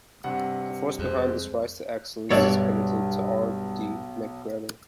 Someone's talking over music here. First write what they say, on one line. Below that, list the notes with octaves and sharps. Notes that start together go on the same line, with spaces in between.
The force behind this rise to excellence is credited to R. D. McGregor.
G2 C3 F#5
F2 G#3 C5
B1 G2 C#5 D5 E5